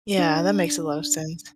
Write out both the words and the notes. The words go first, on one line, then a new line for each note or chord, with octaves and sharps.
Yeah, that makes a lot of sense.
D4